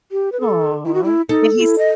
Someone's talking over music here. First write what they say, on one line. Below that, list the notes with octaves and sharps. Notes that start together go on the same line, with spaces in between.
Aw, but he's
G4
B4
A4
E4
F#4
E4
D#4 A4
F#4
E4
D#5